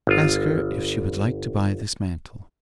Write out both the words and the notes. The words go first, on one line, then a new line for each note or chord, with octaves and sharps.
'Ask her if she would like to buy this mantle.'
G1 F4